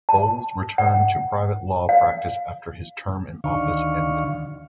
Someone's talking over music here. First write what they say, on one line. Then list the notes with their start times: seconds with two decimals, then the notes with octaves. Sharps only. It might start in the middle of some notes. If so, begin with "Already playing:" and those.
Bowles returned to private law practice after his term in office ended.
0.09 A5
0.78 F#5
1.89 F5
3.44 D2 D3 D#3 F5 C#6